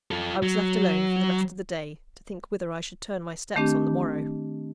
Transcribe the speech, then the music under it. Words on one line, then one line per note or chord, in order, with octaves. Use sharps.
I was left alone for the rest of the day, to think whither I should turn my steps on the morrow.
F4 A4
F#3
D#3 A3 C4 D4 G4